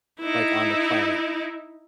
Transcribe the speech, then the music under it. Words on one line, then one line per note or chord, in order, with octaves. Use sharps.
like, on the planet.
D#4 E4